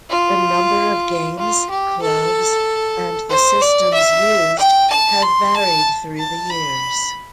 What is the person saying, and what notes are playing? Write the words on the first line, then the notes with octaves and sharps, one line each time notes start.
The number of games, clubs and the systems used have varied through the years.
F4
F4
G4
A4
C5
D5
E5
G5
A5
C6
A5
A5
B5